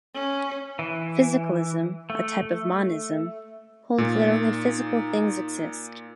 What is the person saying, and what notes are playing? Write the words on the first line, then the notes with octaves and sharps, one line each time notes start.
Physicalism, a type of monism, holds that only physical things exist.
C#4
E3
A3
A#2 D#4